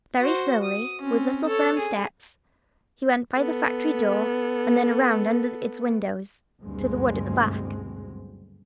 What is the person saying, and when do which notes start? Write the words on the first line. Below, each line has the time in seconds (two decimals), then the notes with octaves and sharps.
Very slowly, with little firm steps, he went by the factory door, and then around under its windows to the wood at the back.
0.20 F#4 C5
0.64 D#6
1.02 C4 C#4
1.46 A4 C#5
1.78 G#4
3.38 B3 A4
6.61 F#1 D2 G2 B2 G#3 C4